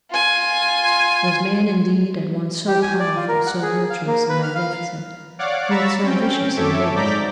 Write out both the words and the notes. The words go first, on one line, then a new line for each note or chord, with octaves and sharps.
Was man, indeed, at once so powerful, so virtuous and magnificent, yet so vicious and base?
F4 G#5
G4
G#5
D5
F4
A#4
F#5
G#4
F5
A#3
B4
F6
F5
C#5 D5 F5 F#5 D6
A#5 B5 C#6 E6 A6 B6
C4 C#4 G5
F#2 A4 C#5 E5 D6
G#2 D5 A#5 D6 G6 B6